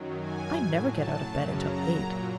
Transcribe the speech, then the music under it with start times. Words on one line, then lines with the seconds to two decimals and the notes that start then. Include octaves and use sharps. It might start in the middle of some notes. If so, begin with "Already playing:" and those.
I never get out of bed until eight.
Already playing: F#2 D#3 F#3
0.19 G#5
0.54 A2 F#3
0.89 A5
1.24 F#2 C#3 F#3
1.58 A#5
1.94 A#2 F#3